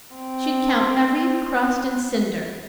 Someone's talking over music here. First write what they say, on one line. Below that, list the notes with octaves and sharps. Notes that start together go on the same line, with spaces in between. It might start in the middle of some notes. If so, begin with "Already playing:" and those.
She'd count every crust and cinder.
C4